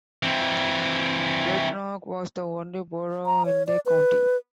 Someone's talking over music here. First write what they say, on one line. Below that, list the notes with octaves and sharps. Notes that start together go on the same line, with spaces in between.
Brecknock was the only borough in the county.
E3 C4
A#5
C#5
D5
B4